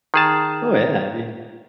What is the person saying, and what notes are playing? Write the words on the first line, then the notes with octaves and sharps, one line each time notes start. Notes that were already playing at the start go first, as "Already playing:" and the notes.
Oh yeah, I mean
D#3 G#4 A5